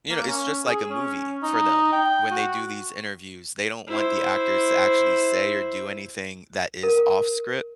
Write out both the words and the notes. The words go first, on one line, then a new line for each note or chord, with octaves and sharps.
you know, it's just like a movie for them, when they do these interviews. They don't want the actors to actually say or do anything that is off script.
A#3
C#4
G#4
C#4
D#4
G5
F#4
E4 C5
A#4